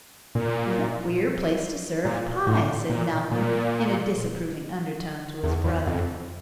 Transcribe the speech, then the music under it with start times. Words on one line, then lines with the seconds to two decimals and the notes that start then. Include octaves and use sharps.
"What a queer place to serve pie," said Malcolm, in a disapproving undertone to his brother.
0.35 A#2
2.05 A#2
2.47 A2
2.90 A#2
3.32 A#2
5.43 E2
5.64 E2
5.87 F2